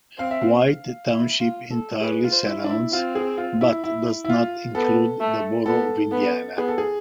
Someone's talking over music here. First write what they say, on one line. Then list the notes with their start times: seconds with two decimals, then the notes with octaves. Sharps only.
White Township entirely surrounds, but does not include, the Borough of Indiana.
0.19 C4 F5
0.31 E5
0.41 F5
1.10 E4
1.40 F4
1.71 A4
2.01 G#4 B4
2.24 F4
2.32 C5
2.47 E4
2.64 D4
2.70 E4
2.92 C4 F4
3.15 G#4
3.38 F4
3.61 E4
3.84 E4
4.24 E4
4.29 F4
4.75 B3 A4
5.21 A3
5.66 B3 A4
6.12 B3
6.58 B3 G#4
6.68 A4
6.78 G#4